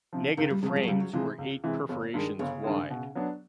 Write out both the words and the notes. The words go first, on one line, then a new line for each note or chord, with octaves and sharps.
Negative frames were eight perforations wide.
C3 F3
C#2 D#3
G3
C3 F3 G#3
G#3
F#3
C#2 G3
F#3
C3 E3 F3 G#3
C#2
C3 E3 G#3
G1
G2 D#3 G#3
G1 C#3
G2 D#3 G#3
B2
F#3 B3 D4